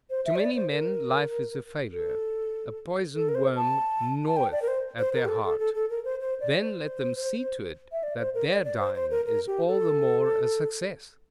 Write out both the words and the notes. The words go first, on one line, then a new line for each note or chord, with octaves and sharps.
To many men life is a failure; a poison-worm gnaweth at their heart. Then let them see to it that their dying is all the more a success.
C5
E5
C5
D5
C5
A#4
A4
A4
A#4
C5
A5
A5
G5
D5
A#4
C5
C5
A#4
G4
A4
A4
A4
A4
A#4
C5
C5
D5
C5
E5
D5
C5
A#4
D5
D5
C5
C5
A#4
A#4
G4
A4